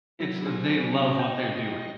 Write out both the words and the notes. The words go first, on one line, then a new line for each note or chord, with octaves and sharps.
It's they love what they're doing.
F#3 E4
C5 G#5
D#5 G5